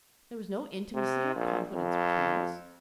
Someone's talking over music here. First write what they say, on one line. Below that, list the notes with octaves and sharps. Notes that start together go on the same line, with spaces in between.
There was no intimacy or confidence between us.
C3
A#1
F2